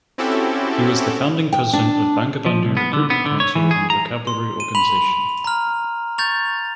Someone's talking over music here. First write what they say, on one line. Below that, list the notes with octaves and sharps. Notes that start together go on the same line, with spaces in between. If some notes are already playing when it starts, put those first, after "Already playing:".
He was the founding president of Bangabandhu Recruitment Council and vocabulary organization.
C4 C#4 E4 F#4 G4 A4
G5
D4
F3
C2
B3
D3
B3
D3
C#5
E3
G#4
A#5
C6
D#7
B5 F7
A#5 F6
C#6 G6 A6 F7